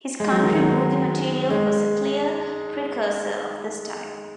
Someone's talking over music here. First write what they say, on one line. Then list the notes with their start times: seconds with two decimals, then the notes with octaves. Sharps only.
His country boogie material was a clear precursor of the style.
0.20 G#3
0.32 F#3
0.43 D#3
0.55 F#3
1.50 G#3